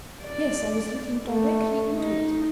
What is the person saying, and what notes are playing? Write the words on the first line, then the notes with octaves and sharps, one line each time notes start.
"Yes, I was looking directly into it."
D5
A3
D#4